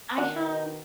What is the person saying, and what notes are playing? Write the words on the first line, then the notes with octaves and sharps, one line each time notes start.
I have
B2 D#3 D4 F#4 G#5